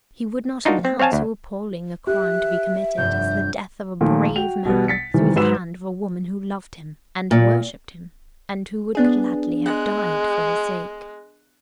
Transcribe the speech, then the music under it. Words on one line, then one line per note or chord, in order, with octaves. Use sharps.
He would not allow so appalling a crime to be committed, as the death of a brave man, through the hand of a woman who loved him, and worshipped him, and who would gladly have died for his sake.
D4 D#4 F4 F#4 A#4
C4
C4 C#5 F5 G#5 A5
D2
G4 E5 F#6
F1 G2 G6
A#2 D#3 F3 A3
F#4 G5 F7
B2 G3 B3
A6 B6 C#7
C3 D#3 E3 G3
G#2 F#3 B4 E6 E7
A#2
B3 D4 G#4
G#3 F#6